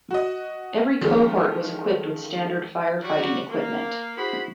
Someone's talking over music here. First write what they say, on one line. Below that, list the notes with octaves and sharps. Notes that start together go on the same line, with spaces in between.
Every cohort was equipped with standard firefighting equipment.
F#4 D#5
D#3 F3 G#3 A3 C#4 F4
F#3 G3 F#4
A#3
E4 F#4 G#4 C5 B5